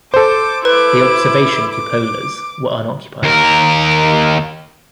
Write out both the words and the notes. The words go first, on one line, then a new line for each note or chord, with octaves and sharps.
The observation cupolas were unoccupied.
A4 C5 D6
E4 B4 D6
D6
D#2 A#4